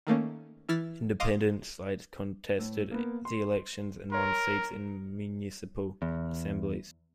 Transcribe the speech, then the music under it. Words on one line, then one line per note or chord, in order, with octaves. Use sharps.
Independent slates contested the elections and won seats in municipal assemblies.
D#3 A3 A#3 C#4
E3 E4 F6 A6 B6
D#5 F5 C6 D6 D#6 F6
A2
A#3 B3
C6
A#4 C#5 C6
E2